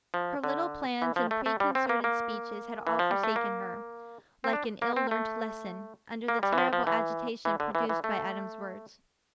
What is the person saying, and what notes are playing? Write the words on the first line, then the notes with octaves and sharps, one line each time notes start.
Her little plans and preconcerted speeches had all forsaken her, like an ill-learnt lesson, under the terrible agitation produced by Adam's words.
F3
D3
E3
F3
A3
A3
G3
C4
A#3
A#3
E3
F3
G3
A3
A#3
C4
D4
A#3
C4
A3
A#3
G3
E3
F3
F3
E3
E3
D3
E3
E3
A3